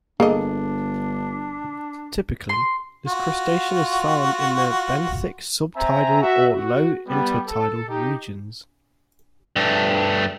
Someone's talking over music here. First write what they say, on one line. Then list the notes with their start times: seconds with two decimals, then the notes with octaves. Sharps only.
Typically, this crustacean is found in the benthic sub-tidal or low inter-tidal regions.
0.20 G1 A#3 D4 G#4 A4 D#5
2.49 C6
3.07 F4 F#4
5.76 C4 E5 G#5 A#5
6.22 F#4 E5
6.55 F#4
7.08 G3 B3
7.48 A4
7.89 D#4 G4
9.56 G2 A3